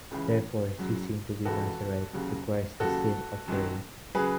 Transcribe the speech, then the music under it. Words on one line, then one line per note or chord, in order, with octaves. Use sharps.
Therefore, ceasing to be nazirite requires a sin-offering.
C#2 C#3 E3
F#2 C#3 F#3
C#2 C#3 E3 F#4 A4
D#2 C#3 F#3
D#2 C#3 F#3 F#4 A4
F#2 D#3 F#3
C#3 F#3 G#4 B4